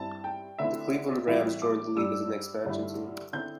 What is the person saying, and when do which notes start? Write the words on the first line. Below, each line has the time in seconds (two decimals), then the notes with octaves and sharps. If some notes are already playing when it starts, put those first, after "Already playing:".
The Cleveland Rams joined the league as an expansion team.
Already playing: G2 G3 C4 E4 A5
0.24 G5
0.58 D3 A3 C4 E4 E5
1.27 A2 E3 G3 C4 E4 E5
1.62 D6
1.95 G2 G3 D4 E6
2.65 G2 D3 G3 E4
3.33 D3 C4 E4 G6